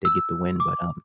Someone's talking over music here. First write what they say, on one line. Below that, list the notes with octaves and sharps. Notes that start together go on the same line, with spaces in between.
they get the win. But, um,
E6
D6